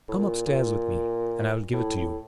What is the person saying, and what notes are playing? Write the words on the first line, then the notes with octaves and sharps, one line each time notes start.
"Come up-stairs with me, and I will give it to you."
A2
A#2
A#2
A2
A2